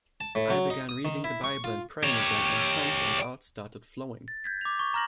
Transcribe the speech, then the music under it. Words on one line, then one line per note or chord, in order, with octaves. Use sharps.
I began reading the Bible and praying again and songs and art started flowing.
A5
A2
F#3
D#4
D#6
D#3
E4
C#6
F4
G4 C#5
A6
G6 G#6 B6
D6 F7
C#6
A#5 C#6 F6 A#6 F#7